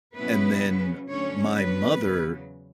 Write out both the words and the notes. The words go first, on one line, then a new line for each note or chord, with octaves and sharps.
And then my mother
B2 F#3 B3 C#4 E4 B4
C#3 F#3 C#4
D2 D3 F#3 C#4 C#5
G2 D3 F#3 B3 B4
E2 C#3 F#3